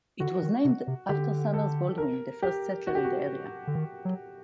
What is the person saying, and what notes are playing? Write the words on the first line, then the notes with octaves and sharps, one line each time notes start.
It was named after Summers Baldwin, the first settler in the area.
D3 F#4
D#3
C3
C3
D3 G4
A4
A#4
G4
F#4
G4
F#4
D3
D#3
F#3